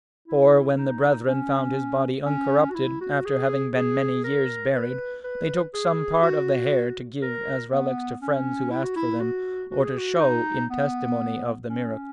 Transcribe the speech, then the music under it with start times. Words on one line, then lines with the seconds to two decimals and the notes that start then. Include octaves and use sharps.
For when the brethren found his body uncorrupted, after having been many years buried, they took some part of the hair, to give, as relics, to friends who asked for them, or to show, in testimony of the miracle.
0.28 E4
0.77 D#4
1.27 C#4
2.25 C#4
2.70 F#4
2.75 E4
3.01 F#4
3.25 G#4
3.75 G#4
4.24 A#4
4.74 B4
5.24 B4
5.74 G#4
6.22 F#4
7.22 A#4
7.72 B3
8.22 C#4
8.71 E4
8.83 F#4
8.96 E4
9.20 F#4
9.71 F#4
9.84 G#4
9.97 F#4
10.19 D#4
10.70 B3
11.69 C#4